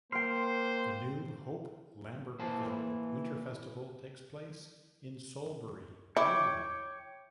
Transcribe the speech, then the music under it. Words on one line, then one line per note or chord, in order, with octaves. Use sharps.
The New Hope-Lambertville Winter Festival takes place in Solebury yearly.
A#3 C5 G5 C6 F6
E3 A#3 C5 A5
E4 C#5 G5 D6